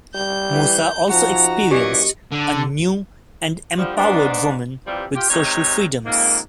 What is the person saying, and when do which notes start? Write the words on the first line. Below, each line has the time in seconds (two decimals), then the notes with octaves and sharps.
Musa also experienced a new and empowered woman with social freedoms.
0.15 G3 G6
0.52 E3
1.09 F3 D#4 F#4 A#5
1.71 F#2 A#2 E3 G4 D5 D#5 C#6
2.32 D3
3.77 D3 F3 G3
3.97 G#2 B3 D4
4.86 C3 E3 F3 G3
5.14 F4 G4
5.30 C3 G#3 D#4 A#4 C#5
6.04 F2 G#2 A#3